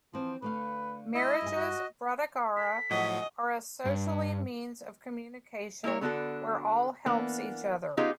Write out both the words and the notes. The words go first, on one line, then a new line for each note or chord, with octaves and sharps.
Marriages, Brataghara are a socially means of communication where all helps each other.
E3 F3 C4
D3 A3 B4 F5
E4 D#5
G2 G#5
F#4
A4 B6
A2 F3 F#3 F#4 G#4 D#5 E5
G2
A#3 E4 A#4 C#5
D3 B3 D4 F#4 A4
E3 A#3 B3 D4
B3 C#4 D#4 F4 G4 G#4